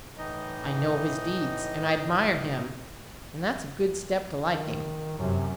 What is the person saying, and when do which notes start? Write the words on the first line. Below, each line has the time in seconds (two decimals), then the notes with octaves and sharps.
"I know of his deeds, and I admire him, and that's a good step to liking."
0.18 A2 E3 D#4 D#5
4.42 D#3
5.18 F#2 C3